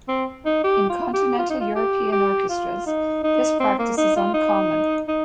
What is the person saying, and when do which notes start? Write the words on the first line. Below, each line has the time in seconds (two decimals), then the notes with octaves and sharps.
In continental European orchestras, this practice is uncommon.
0.08 C4
0.46 D#4
0.64 G4
0.90 F4
1.14 G4
1.39 F4
1.50 D#4
1.60 F4
1.75 G4
2.12 G4
2.49 F4
2.86 D#4
3.24 D#4
3.60 C4
3.79 A#3
3.97 D#4
4.16 F4
4.34 D#4
5.08 D#4